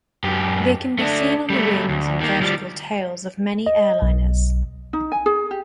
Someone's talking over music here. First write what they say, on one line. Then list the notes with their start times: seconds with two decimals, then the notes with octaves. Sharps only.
They can be seen on the wings and vertical tails of many airliners.
0.24 F#2 G4
0.98 A3 D4
1.50 G3 A3
1.89 D2
2.20 D#3 A#3
2.41 F3 G3
3.66 D#5
4.02 B1
4.93 D#4
5.12 G#5
5.26 G#4
5.51 G4